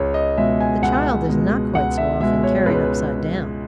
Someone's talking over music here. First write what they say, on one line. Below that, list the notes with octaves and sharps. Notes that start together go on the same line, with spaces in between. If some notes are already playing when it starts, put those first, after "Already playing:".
The child is not quite so often carried upside down.
Already playing: C#2 C#5
D#5
B2 G#3 E5
G#5
C#2 F#5
B2 G#3
C#2 F#5
E5
B2 G#3 E5
C#5
C#2 B4